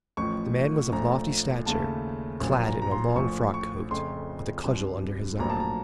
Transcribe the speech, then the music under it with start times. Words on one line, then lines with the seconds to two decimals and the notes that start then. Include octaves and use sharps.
The man was of lofty stature, clad in a long frock-coat, with a cudgel under his arm.
0.17 A1 A2 F3 C#6
0.92 A#1 A2 A3 A#5
1.66 D#2 C#3 A3 A5
2.41 A#1 A#2 F#3
2.66 A#5
2.82 A#5
2.92 C6
3.16 A#1 A2 F3 C#6
3.54 C#6
3.91 F2 C#3 A3 C6
4.65 C2 C3 F#3
5.39 A#1 A2 F#3 A#3 A#5
5.50 A5
5.60 A#5